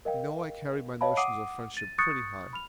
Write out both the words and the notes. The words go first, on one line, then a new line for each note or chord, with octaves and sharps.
You know I carry my notions of friendship pretty high.
A#4 D#5 F5 G5
C#5 D#5 F5 A5 B5
F#5 D6 D#6 C7 D7 D#7
A6 D#7
C#6 D#6 F#6 G6 A6 C#7
B5 F6 F7